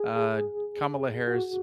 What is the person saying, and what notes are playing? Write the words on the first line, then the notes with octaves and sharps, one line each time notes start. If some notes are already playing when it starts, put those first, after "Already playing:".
uh, Kamala Harris,
Already playing: G#4
G#4
F#4